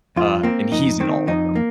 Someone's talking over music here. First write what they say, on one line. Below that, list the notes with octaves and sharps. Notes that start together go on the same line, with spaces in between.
uh, and he's in all of them.
F2 F4
A#3 C4
F2 D#4
D#3 C4
F2 D#4
A#3